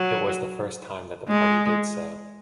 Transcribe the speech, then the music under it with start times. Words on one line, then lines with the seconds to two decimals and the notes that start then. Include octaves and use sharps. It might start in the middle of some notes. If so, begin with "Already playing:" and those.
It was the first time that the party did so.
Already playing: F#3
1.28 G#3